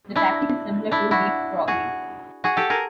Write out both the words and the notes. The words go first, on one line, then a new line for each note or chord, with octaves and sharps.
The tactic is similar to leapfrogging.
D4 E4
D4 E4
E4 F#4
F#4 G#4
F#4 G#4
G4 A4
G#4 A#4